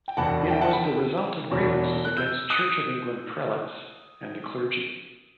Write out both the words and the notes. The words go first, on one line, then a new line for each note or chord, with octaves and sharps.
It was the result of grievances against Church of England prelates and the clergy.
G5
E1 E2 B2 F#5 A5
E5 G5
F#5 A5
G5 B5
E1 E2 B2 F#3
F#6
E6 G6
D#6 F#6